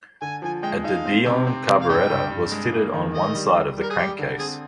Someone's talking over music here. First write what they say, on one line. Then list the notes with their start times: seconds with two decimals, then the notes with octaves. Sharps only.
A De Dion carburetor was fitted on one side of the crankcase.
0.22 D3 G#5
0.42 F3 G#5
0.63 G#3 G5
0.84 D#4 F5
1.05 C4
1.26 C3
1.47 C4
1.68 C3
1.82 F5
1.89 G2 D#5 G5
2.10 G2
2.30 G2
2.52 G#3
2.72 A#3
2.93 D#3
3.14 D#3 D#5
3.35 G3
3.56 G3
3.77 G3
3.83 A#4
3.90 G#4
3.98 G3 G4
4.19 D3
4.39 C4 G#4